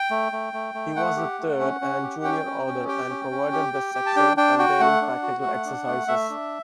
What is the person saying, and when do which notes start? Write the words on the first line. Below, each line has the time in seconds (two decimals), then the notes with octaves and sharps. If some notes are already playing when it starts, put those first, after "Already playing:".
He was the third and junior author and provided the section containing practical exercises.
Already playing: G5
0.11 A3
0.32 A3
0.53 A3
0.74 A3
0.96 A3 F#5
1.17 G4
1.39 A3
1.60 C#4
1.81 C#4
2.03 G4
2.24 C#4 G5
2.45 C#4
2.67 C#4
2.87 G4 G5
3.09 C#4
3.31 C#4
3.52 G4
3.73 G4
3.95 G4
4.06 A5
4.16 D4 G5
4.37 D4 G5
4.59 F#4 G5
4.80 A3 F#5
5.02 D4
5.23 F#4
5.44 A3
5.66 D4
5.87 A3
6.08 A3 E5
6.30 D4